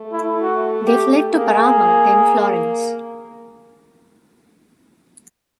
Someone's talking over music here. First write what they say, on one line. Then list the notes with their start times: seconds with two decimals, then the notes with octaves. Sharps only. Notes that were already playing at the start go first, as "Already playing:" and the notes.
They fled to Parma, then Florence.
Already playing: A3
0.13 E4
0.42 F#4
0.87 G4
1.31 A#3 G#4